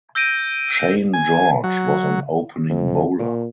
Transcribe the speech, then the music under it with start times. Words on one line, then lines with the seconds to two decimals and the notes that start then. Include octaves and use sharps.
Shane George was an opening bowler.
0.15 E6 G6 A#6 D7 D#7
1.13 G#5
1.64 F#3
2.69 F2
3.19 A#2